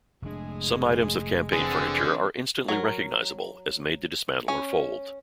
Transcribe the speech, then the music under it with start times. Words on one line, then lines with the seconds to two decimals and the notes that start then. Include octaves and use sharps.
Some items of campaign furniture are instantly recognizable as made to dismantle or fold.
0.22 F1 A2 G#3 D4 G#4
1.53 D3 E3 C4 G#4
2.68 F#3 A#4
4.48 C#4